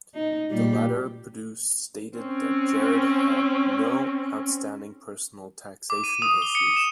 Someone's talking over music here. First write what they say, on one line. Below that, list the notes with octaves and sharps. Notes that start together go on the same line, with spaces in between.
The letter produced stated that Gerard had no outstanding personal taxation issues.
D#4
A#2 G3 G4
C4 C#4
D6
D#7
D#6
G7
C#7
E7